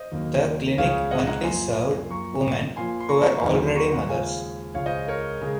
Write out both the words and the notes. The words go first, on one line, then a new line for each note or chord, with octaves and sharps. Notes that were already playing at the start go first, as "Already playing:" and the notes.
The clinic only served women who were already mothers.
Already playing: C5 D#5
D#2 D#3 F#3 A#3
C#2 C#3 G#3 C#5 F5
D#5 F#5
F#5 A#5
F#2 F3 A#3 G#5 C6
F#2 F3 A#3 A#5 C#6
A#2 F3 A#3 G#5 C6
C6
A#5 C#6
D#2 D#3 F#3
C6
A#5 C#6
F#5 A#5
D#2 C#3 F3 G#3 F5 G#5
C#2 C#3 G#3 C#5 F5
C5 D#5
A#4 C#5
C#3 G#3